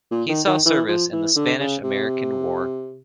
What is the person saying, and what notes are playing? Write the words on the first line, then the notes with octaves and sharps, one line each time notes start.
He saw service in the Spanish-American War.
A#2
D#3
D#3
E3
F3
E3
D3
C#3
C3